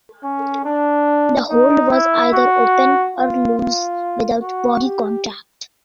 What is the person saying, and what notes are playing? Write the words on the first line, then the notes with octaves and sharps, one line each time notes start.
The hold was either open or loose, without body contact.
C#4
D4
D#4
E4
F#4
F4
F4
F#4
G4